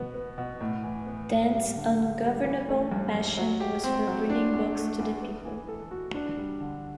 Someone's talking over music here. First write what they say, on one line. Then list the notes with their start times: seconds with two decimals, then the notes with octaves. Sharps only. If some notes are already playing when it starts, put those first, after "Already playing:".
Dent's ungovernable passion was for bringing Books to the People.
Already playing: B2 B3
0.14 B3
0.38 B2
0.61 A2
0.84 E3
1.07 B3
1.30 A2
1.53 G3
1.76 D3
1.99 D3
2.22 G3
2.45 E3
2.69 A3
2.92 G2
3.14 G2
3.37 F#3
3.60 G4
3.84 C4
4.07 F#3
4.29 D4
4.53 E2
4.76 A3
4.99 E2
5.23 B3
5.45 E3
5.68 A4
5.91 F#4
6.14 D4
6.37 G3
6.60 D3